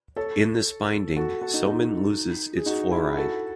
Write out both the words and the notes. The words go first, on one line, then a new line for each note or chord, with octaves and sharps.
In this binding, soman loses its fluoride.
A4 C#5
F#4 A4
F#4 A4
D#4
D#4
G#4
D#4 F#4
E4 G#4
F#4 A4